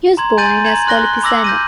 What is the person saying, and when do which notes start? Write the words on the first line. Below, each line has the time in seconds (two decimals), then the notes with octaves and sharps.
He was born in Ascoli Piceno.
0.17 A#5 C6 G#6
0.37 G#5 C6 G6 A6 D#7 F#7
0.64 A#5 G#6 F#7
0.87 C6 F#6 A#6 G7
1.23 B5 D6 E6 A#6 F#7
1.44 G6 A#6 D#7